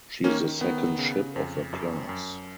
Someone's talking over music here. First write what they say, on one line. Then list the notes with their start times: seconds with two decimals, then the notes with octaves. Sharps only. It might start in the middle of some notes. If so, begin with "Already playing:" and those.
She is the second ship of her class.
0.24 D#3 A#3 C#4
0.61 D#3 B3
0.98 C#3
1.36 F2
1.73 F#2
2.09 F#2